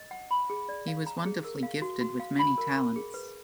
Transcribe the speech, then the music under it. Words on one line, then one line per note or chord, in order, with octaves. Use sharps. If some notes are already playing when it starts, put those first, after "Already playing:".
He was wonderfully gifted with many talents.
Already playing: D#5
F#5
B5
G#4
D5
F5
A#5
G#4
A#4
F5
F#4
F#4
F5
B5
A#4
A#4
G#4
B4